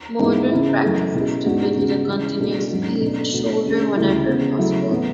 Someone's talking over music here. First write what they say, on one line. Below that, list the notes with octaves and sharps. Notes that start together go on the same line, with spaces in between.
Modern practice is to build a continuous paved shoulder whenever possible.
G#2 E3 G#3 B3 E4
C#3 G#3 C#4 E4
F#2 E3 A3
B2 G#3 C#4 E4
G#2 G#3 B3 D4 F#4
C#3 G#3 B3 F#4
C#3 E3 G#3 C#4 E4
B2 A3 D4 F#4
G#2 F#3 C#4 F#4
B2 A3 D4
B2 A3 D4 F#4
D3 G#3 C#4
D2 C#3 E3 A3 E4
C#3 G#3 B3
C#3 F#3 A3 E4
A2 E3 B3